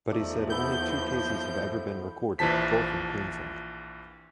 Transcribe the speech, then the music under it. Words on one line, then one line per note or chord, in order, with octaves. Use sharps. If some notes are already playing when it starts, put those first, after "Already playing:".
But he said only two cases have ever been recorded, both in Queensland.
E2 F3 A3 D#4 D5
B3 E4 A5 G6
A#1 E3 F3 C5 A5 B6